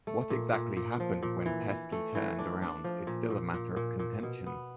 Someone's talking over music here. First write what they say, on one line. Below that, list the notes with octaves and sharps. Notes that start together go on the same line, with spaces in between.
What exactly happened when Pesky turned around is still a matter of contention.
A3
A#2
A#2
A#2
F3
A#2
E3
E3
A3
E3
D4
D4
F3
A#2
A#2
A#2
A#2
A#2
B2
B3